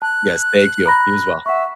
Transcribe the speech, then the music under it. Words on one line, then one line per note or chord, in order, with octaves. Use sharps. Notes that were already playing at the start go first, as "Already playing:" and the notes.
Yes, thank you. You as well.
A5 F#6
A#5 B5 A#6
E5 F#5 C#6